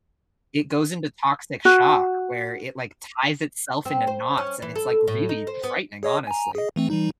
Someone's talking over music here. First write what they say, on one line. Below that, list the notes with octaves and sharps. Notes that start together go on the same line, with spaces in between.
it goes into toxic shock where it, like, ties itself into knots, and it's, like, really frightening, honestly.
F#4
C4
C5
C#4
E3
A4
A2
D#4
C5
B3
G#4 C#5 D#5
G#5 A#5
G#4 D#5
E3 A3 C4
E3 G3 D#4